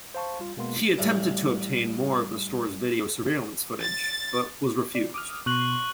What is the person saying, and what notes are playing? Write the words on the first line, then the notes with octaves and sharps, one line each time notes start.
He attempted to obtain more of the store's video surveillance footage, but was refused.
C5 F5 A5 C#6
G3 F4
B2 G#3 A#3 B3 C6
A1 A2 G3
A6
D5
D6 D#6 F6
B2 C6 C#6 F#6 F#7